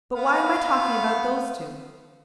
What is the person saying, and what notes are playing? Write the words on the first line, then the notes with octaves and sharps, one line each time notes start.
But why am I talking about those two?
B3 F5